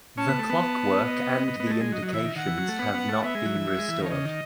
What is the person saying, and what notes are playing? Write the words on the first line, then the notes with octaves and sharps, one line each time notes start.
The clockwork and the indications have not been restored.
C#4 A5
B3
A3
B3
D#5
B3
B3
G#3
A3
G#3
F#3 D#5
F#3 D#5
E3 E5
D#3
D#3 F#5
E3
F#3
A3
B3
B3
A3
B3 E5
G#3
F#3
E3
F#3
G#3
E3
D#3 C#5
C#3 D#5
D#3